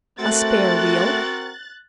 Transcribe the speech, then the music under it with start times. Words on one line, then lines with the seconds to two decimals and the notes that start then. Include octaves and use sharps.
"A spare wheel?"
0.19 A3 C4 F#4 A#4 F#6 A6